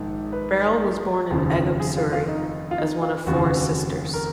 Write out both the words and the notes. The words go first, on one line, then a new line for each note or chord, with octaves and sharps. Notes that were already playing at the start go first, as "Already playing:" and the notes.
Beryl was born in Egham, Surrey, as one of four sisters.
Already playing: A#1 G#2 D#3
B4
F1 D#2 C#3 F3
G#4
F4
F4
D#4
F4
D#4
F4
F1 D#2 C#3 F3 F#4
F4
F#4
A#4